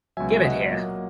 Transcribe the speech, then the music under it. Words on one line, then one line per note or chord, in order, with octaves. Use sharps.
Give it here!
C#2 B2 F#3 E5 G#5
D#5 F#5
A#2 F#3 A#3